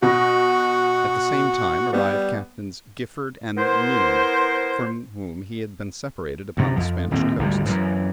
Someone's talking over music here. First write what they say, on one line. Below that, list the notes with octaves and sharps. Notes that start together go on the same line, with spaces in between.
At the same time arrived Captains Gifford and Knynin, from whom he had been separated upon the Spanish Coasts.
B2 F#4 A#6
G3 B3
B3 E4 A#4 C5
D2 G2 C3
F2 F3
D#1 D#2 A2 C4
G#1 D2 D3 G3
F#2 E3